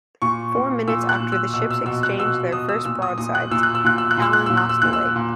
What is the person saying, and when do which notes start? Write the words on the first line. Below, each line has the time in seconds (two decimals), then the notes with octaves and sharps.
Four minutes after the ships exchanged their first broadsides, Allen lost a leg.
0.22 A#2 C#6
0.55 A#2
0.88 A#2 E6
1.09 F#6
1.20 A#2
1.32 E6
1.53 B2 E6
1.70 E6
1.86 B2 E6
2.03 F#6
2.19 B2 E6
2.52 B2 D#6
2.69 E6
2.85 A#2 E6
3.02 D#6
3.18 A#2 D#6
3.35 F#6
3.51 A#2 E6
3.63 F#6
3.75 E6
3.84 A#2 F#6
3.98 E6
4.11 F#6
4.17 A#2 E6
4.33 F#6
4.46 A#2 E6
4.57 F#6
4.69 E6
4.82 A#2 F#6
4.93 E6
5.16 A#2